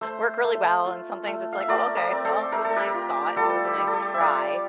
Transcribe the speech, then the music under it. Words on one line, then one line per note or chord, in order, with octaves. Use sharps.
work really well, and some things it's like, "Oh, okay, well, it was a nice thought, it was a nice try,"
A3 C5 E5
A3
F4
A3
F5
E5
A3 A#4 D5
A#4 D5
C4
A4 C5
A3 A#4
A4
G4 A#4
F4
G3 F4 A4
G4
G3
A4
G4
E5
F4 D5 F5